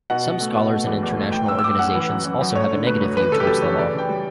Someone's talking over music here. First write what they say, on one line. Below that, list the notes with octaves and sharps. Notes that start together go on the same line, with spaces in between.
Some scholars and international organizations also have negative view towards the law.
B2 F#5
C#2
A3
B2
A3
E2
E2
A3
A2 G5
A2 E6
E6
A2 D6
C#4 F#5
E3
F#2
F#2
F#2
A3 C#5
D3
D2 B4
D2
E3 B4
C#3 A4
G4
F#2 A4
E3 C#5
C#3 D5
C#3
G5
G3